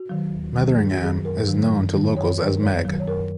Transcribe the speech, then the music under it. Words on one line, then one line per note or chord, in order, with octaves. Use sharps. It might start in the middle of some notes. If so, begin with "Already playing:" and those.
Metheringham is known to locals as "Meg".
Already playing: F#4
D#3 F#3
D#2
D#3 F#3
F#2 G#4
F#4
D#3 F#3 G#4
F#2 A#4
D#3 F#3
F#2
D#3 F#3
F#2 C#5
D#3 F#3 A#4
F#2 C#5
D#3 F#3
C#5
F#2 A#4